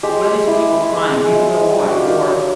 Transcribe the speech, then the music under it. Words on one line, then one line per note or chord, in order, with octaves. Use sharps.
What are these people crying 'Vive le Roi!' for?
G#3 G4
G#3
E4
E4
G#3
G#3
G#3
G#3
D4 G4
F#4
F4 G4
F#3